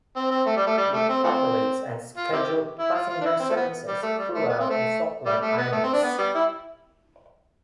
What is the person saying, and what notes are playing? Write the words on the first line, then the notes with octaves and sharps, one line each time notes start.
It operates unscheduled passenger services throughout the Falkland Islands.
C4
C4
A3
G3
A3
G3
A3
C4
F3 A3 C4
F4
C4 E4 G4
E4
F4
F4
D4
E4
C4
A3
B3
G3
A3
G3
A3
B3
C4
A3
G3
A3
B3
A3
C4
D4
B3
G3
E4